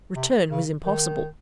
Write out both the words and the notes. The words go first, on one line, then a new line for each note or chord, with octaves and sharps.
Return was impossible.
C3
C#3
D#3